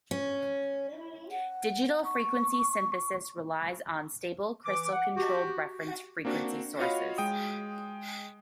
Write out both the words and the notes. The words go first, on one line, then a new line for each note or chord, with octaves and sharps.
Digital frequency synthesis relies on stable crystal controlled reference frequency sources.
C#4
F#5
C#6
E3 D6
F#5
F#4 G4
A#3 C4 D4 F#4
F4 F#4 C#5 D#5 F5 B5
G#3 G5 D#6